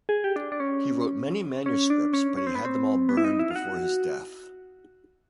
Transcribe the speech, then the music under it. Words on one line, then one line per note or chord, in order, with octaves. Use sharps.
He wrote many manuscripts, but he had them all burned before his death.
G#4
G4
D4
D4
C#4
C#4
D4
C#4
C#4
C4
B3
C4
B3
E4
D#4
E4
F4
F#4